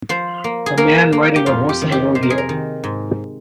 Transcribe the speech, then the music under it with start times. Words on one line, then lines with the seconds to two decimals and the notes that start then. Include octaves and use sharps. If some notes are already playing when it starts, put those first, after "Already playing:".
A man riding a horse at a rodeo.
0.09 F3 C5
0.44 A#3
0.66 G#4
0.77 A#3 A#4
1.12 A#3
1.36 G4
1.46 F2 F4
1.69 G4
1.82 D#3
1.92 G4
2.15 C3 C5
2.23 A#4
2.30 G#4
2.38 A#4
2.49 D#3
2.84 G#2